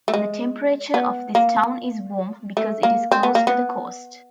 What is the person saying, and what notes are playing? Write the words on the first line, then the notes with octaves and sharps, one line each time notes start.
The temperature of this town is warm because it is close to the coast.
A3
G#3
B3
A#3
A3
A#3
C4
B3
A#3
B3